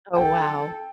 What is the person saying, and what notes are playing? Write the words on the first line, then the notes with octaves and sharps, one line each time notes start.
Oh, wow.
A4 G5